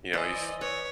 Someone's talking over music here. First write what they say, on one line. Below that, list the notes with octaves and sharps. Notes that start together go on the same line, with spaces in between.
you know, he's,
E3 C5 D5 D#5 G#5 E6 A6
B4 C#5